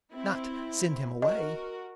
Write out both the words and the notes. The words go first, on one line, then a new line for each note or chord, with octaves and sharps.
"Not--send him away?"
C4 E4
F#4 A#4 D#5